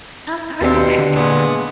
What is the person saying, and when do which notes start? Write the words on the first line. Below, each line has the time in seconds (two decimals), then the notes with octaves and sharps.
Oh, okay.
0.61 D#2 B2 C4 D4 G4
0.99 D3
1.16 A#2 G#3 B3